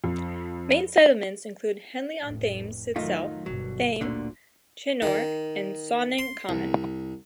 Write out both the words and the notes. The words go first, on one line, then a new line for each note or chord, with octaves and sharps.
Main settlements include Henley-on-Thames itself, Thame, Chinnor and Sonning Common.
F2
F1 A2
D#3 F#3 A3 D#4 F4
G1 B2 F#3
D2 A#2 D3
D#3
C6
C2